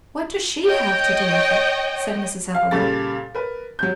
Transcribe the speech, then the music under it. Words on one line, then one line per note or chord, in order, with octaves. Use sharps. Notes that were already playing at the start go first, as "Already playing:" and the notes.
"What does she have to do with it?" said Mrs. Evelyn.
C#5 D#5 G5
F5
A#2 C#3 G3 A4 A6
A#4 B4
F#3 G6